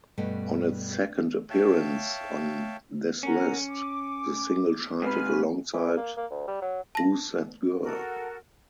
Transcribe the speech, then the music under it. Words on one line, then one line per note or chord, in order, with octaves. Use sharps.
On its second appearance on this list, the single charted alongside Who's That Girl?
G2 B2 G3 A3
C#5 E5 F5 G5 A5
C#4 A#4 F#5
D6
G#2 C3 B4 G#5 F6
E3
A#3
A#3
D2
G3
F#3
A5 A#6
F#4 A4 A#4